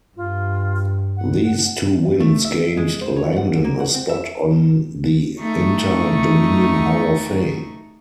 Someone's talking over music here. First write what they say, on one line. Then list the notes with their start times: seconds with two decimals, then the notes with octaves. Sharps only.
These two wins gained Langdon a spot on the Inter Dominion Hall of Fame.
0.17 G2 F4
1.17 F#5
2.20 A3
2.45 E5
2.77 G#3
3.01 C5
3.16 C#5
3.36 F#5
3.64 A#3
3.80 F#5
3.94 C4
4.09 E5
5.39 A3 D#4 C#6